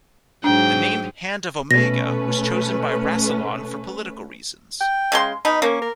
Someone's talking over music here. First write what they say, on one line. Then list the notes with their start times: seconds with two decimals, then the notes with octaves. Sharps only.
The name "Hand of Omega" was chosen by Rassilon for political reasons.
0.44 G#2 F#3 D4 G5
1.71 B2 A3 C#4 B4 A#6
4.80 G5
5.12 C#3 G#3 C6
5.45 B2 D#4 B5
5.62 A#3 C#4
5.82 A#4